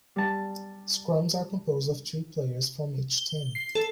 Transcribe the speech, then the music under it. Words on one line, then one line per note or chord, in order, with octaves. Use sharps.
Scrums are composed of three players from each team.
G3 A5
G7
C7
A4